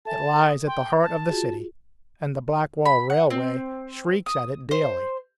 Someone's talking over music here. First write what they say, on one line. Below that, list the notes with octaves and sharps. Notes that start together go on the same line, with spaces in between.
It lies at the heart of the City, and the Blackwall Railway shrieks at it daily.
A4 E5 G#5 A5
D#6
G5 C6
A5
F4 F#4 G#4
B5
F#5
C4
D#6
C5